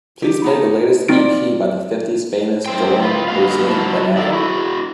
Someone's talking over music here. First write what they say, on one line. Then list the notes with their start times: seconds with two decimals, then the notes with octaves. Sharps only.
Please play the latest ep by the fifties famous Gholam Hossein Banan.
0.22 G4
0.44 B3 D#4 A5
1.08 F3 C4 D#4 D5 D7
2.66 F#2 C5 G5
3.02 F4 B4
3.28 A#3 B3 F#4 F5
3.67 E4 F#4 A5
4.17 D4 D#4 A4 A#4 D5 F5
4.33 E4 F#4